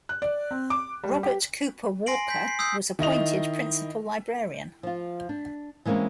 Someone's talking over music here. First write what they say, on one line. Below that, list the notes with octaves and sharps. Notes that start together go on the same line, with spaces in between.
Robert Cooper Walker was appointed Principal Librarian.
F#6
D5
C4
D6
G3
G4
G#5 C6 A#6 C7 D7 F#7
G6 B6
C7
D#6 E6 G6 C7
D#3 E4 D#5 F7
F3 F4
D4
E3 G#3 A#3 C4 C#4